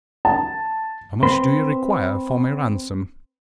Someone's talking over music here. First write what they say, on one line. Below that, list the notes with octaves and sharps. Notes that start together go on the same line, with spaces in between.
"How much do you require for my ransom?"
A5
C4 B4 C6